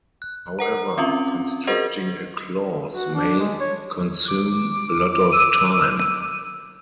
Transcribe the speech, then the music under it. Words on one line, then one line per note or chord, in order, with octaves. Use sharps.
However, constructing a clause "may" consume a lot of time.
F#6
A#4 F#5 A#5
C4 C#4 F4 E5
F#4 G#4 A#4 C5 D#5 F#5
F#4
D4
G#3
C#5
D6
E6 D#7